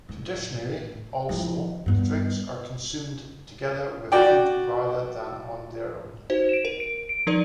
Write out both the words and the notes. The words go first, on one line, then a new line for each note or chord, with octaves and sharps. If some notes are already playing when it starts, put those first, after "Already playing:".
Traditionally, also, the drinks are consumed together with food rather than on their own.
A2
F3 E4
G2 B3
F#4 D5 G5
D#4 F#4 C5
D7 E7
A#4
D7
D7
F3 D#4 A#4 D5